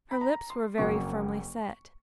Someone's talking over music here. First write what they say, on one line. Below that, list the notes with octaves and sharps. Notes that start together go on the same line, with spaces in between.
Her lips were very firmly set.
B5
A#5
C6
F#1 F2 C#3 F#3 A#3 C#6